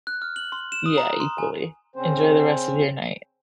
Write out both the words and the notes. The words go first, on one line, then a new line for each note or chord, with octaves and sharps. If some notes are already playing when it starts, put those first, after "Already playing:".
Yeah, equally. Enjoy the rest of your night.
F#6
F6
F#7
C6
E7
D#6
A#5
C6
G#5
C#3 C4 C#4 C5